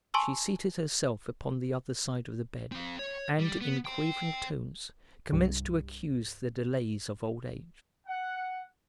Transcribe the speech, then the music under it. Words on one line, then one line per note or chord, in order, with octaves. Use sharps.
She seated herself upon the other side of the bed and in quavering tones commenced to accuse the delays of old age.
G#5 A5 C6 C#6 E6
C4 F5
C#5
G3
B3
C5 G5
C2 G2
F#5